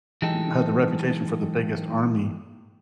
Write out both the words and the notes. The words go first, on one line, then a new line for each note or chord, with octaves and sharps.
had the reputation for the biggest army.
E3 F#3 G#3 D#4 G4 A4